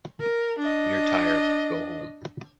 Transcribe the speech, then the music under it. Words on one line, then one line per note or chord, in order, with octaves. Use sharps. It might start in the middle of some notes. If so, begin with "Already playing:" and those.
You’re tired, go home.
A#4
D4 D#5